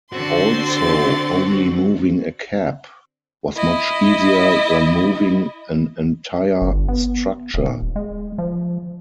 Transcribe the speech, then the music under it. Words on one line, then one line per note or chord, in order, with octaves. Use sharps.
Also, only moving a cap was much easier than moving an entire structure.
D3 C4 F#4 C6 A6
E4 D#5
G1
B3
D#1
G#3
F3